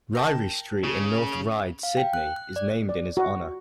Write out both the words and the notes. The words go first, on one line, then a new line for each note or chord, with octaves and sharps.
Ryrie Street in North Ryde, Sydney is named in his honour.
A#4 G5 A5
C#3
F5
G5
F#6
F#6
D5
D5
F#4